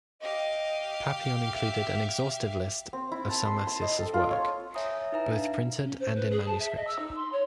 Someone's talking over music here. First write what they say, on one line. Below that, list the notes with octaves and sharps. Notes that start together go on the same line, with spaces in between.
Papillon included an exhaustive list of Salmasius' works, both printed and in manuscript.
G4 D#5 F5
E5
C4
E4
A5
C6
C6
D#5
A4
F4
C#5
C#5 E5 G#5 A#5 D#6
D#4 E4 B4 E5 G#5 A#5
D4 F5
C#4
C5
B4
G#4
A5
E5
D#5
E6
D#4
C6
C#5